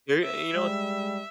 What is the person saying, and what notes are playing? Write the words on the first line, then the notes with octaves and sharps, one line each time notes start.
Y and you know
E5
G3 G#3